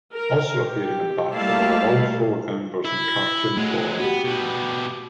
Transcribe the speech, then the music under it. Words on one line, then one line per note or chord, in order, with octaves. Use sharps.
Also appearing on the back cover are all four members in cartoon form.
A#4
G4
G3 A3 A#3 E4 F5 A5
E4
F#3 G#3 A3
B3 F#4 G4
B2 G3